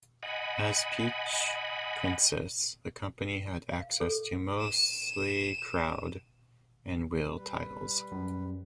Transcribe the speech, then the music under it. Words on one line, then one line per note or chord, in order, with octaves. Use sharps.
As Peach Princess, the company had access to mostly Crowd and Will titles.
D#5 F#5 G#5 B5
F5
A4
D#7 E7
G3 B4
F#2